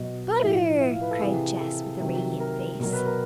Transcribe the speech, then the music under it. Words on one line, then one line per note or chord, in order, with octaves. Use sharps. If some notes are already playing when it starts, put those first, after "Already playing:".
"Butter!" cried Jess with a radiant face.
Already playing: B2 F#3 D#5
A2 F3 E5
E5
F5
B4
A4
C3 E3 G#4
A4
C3 D#3 F#3
A#4
B2 F#3 A#4
B4
A#4